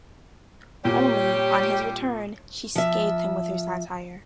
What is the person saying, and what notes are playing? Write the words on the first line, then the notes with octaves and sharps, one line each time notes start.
Only, on his return, she scathed him with her satire.
A#2 G3 G4 C#5
F3 E5